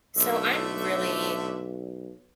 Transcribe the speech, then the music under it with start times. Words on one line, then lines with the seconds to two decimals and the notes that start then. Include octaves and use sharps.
So, I'm really
0.16 B1 D3 A3 E5